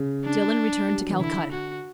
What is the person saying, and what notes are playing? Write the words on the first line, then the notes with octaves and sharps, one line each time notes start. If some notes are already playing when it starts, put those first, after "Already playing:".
Dillon returned to Calcutta.
Already playing: C#3
D4
G3
F#3
E3
D3 E4
F#4